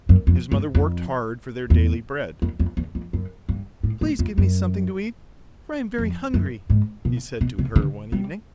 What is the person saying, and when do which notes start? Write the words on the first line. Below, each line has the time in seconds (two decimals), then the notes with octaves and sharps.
His mother worked hard for their daily bread. "Please give me something to eat, for I am very hungry," he said to her one evening.
0.09 F#2
0.27 F2
0.52 G2
0.75 F2
1.70 E2
2.42 F2
2.60 F2
2.77 E2
2.95 F2
3.13 F#2
3.49 G2
3.83 A2
4.01 A2
4.19 F2
4.38 F#2
5.98 F2
6.34 F#2
6.70 G#2
7.05 B2
7.41 B2
7.59 C3
7.76 D3
8.12 G3